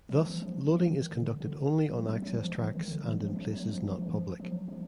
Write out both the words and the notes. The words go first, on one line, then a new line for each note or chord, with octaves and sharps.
Thus loading is conducted only on access tracks and in places not public.
F3
E3
F3
F3
E3
D#3
D3
D3
F3
F#3
F#3
E3
F3
E3
D#3
D3
E3
F3
F3
F#3
F3
F3
E3
F3
F3
F#3
F3